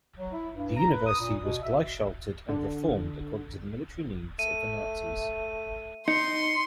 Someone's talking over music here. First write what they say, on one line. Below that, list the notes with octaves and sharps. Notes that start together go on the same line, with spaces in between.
The university was gleichschalted and reformed according to military needs of the Nazis.
F#3
E4
G2
A#5
B4
D#6
A#2
B2
E5
D3
A3 D#7
D#4 C6 C#7